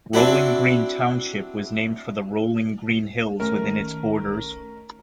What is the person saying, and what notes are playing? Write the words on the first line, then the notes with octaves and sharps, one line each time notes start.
Rolling Green Township was named for the rolling green hills within its borders.
C4 D4 E4 F#4
D#3 A3 C#4 A#4